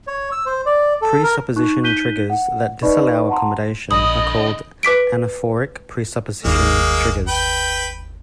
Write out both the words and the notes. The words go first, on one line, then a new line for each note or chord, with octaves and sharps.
Presupposition triggers that disallow accommodation are called anaphoric presupposition triggers.
C#5
E6
C5
D5
A4
A#4
D#4 C#6 F#6
D#4 F#6 G6 B6 D#7 G7
F#5
D#4 B4 D5 D#5 B5 C#6
F#5 A5 A#5 C6
A#1 D3 D#5 B5 D#6
B4 D6 B6 D7
G1 D#2 G#3 A#3
B4 G5